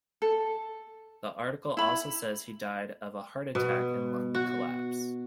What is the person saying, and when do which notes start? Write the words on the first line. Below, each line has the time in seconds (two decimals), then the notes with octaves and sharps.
The article also says he died of a heart attack and lung collapse.
0.22 A4
1.77 E4 B5
3.55 B2
4.35 F#4